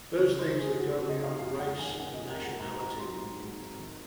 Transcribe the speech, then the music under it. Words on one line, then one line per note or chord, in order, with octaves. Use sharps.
Those things that go beyond race and nationality.
C#3 C#5
D#4 C5
G#3 G#4
C#3 F#4
C#3 F#4
D#5
D#4 F5
F2 F5
G#3 F#5
D#3 G#5
C#4 F#5
F2 D#5
A#4
G#3
F#5
G#2 A#5
C4 A#5
F#3 C6
G#2
G#2
C4
D#3